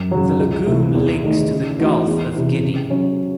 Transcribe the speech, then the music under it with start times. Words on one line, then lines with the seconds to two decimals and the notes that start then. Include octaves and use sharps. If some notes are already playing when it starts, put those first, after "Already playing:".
The lagoon links to the Gulf of Guinea.
Already playing: F#2
0.11 C#3 F#3
0.40 C#2
0.66 C3 E3
0.95 E2
1.23 D#3 A3 D#4
1.51 C#3
1.79 E3 A3 D#4 F#4
2.06 E2
2.34 C3 E3
2.62 C#3
2.90 F#3 C#4